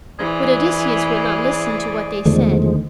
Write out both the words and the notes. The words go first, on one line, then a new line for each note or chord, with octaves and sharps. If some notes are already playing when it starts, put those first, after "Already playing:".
But Odysseus would not listen to what they said.
E3 G#4 C5 D5
E2 D3 D#3 F3 G#3 A3